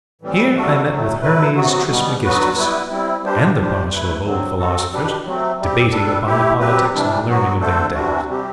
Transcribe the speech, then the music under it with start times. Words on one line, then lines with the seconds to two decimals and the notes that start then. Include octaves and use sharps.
Here I met with Hermes Trismegistus, and a parcel of old philosophers debating upon the politics and learning of their days.
0.22 A2 E3 G3 C4
0.55 C3 G3 D4 F#4 A4
0.89 A2 F#3 A3
1.22 F#3 A3 E4 B4
1.55 C3 F#3 B3 F#4
1.89 B2 G3 B3
2.23 D3 F#3 B3 F#4 B4
2.56 G3 B3 E4 B4
2.90 G3 C4 E4
3.24 G3 B3 D4 G4 C5
3.57 G3 D4 G4 C5
3.91 A3 E4 B4
4.25 D3 F#3 C4
4.57 F#3 C4 F#4 A4
4.92 B2 G3 D4 G4 B4
5.25 F#3 A3 C4
5.59 G3 C4 G4
5.92 G3 D4 A4
6.26 A3 E4 G4
6.60 F#3 C4 G4 B4
6.92 C3 E3 G3 D4
7.27 F#3 B3 F#4
7.60 D3 A3 D4 A4 C5
7.94 C3 E3 G3 D4 F#4
8.28 C3 G3 C4 G4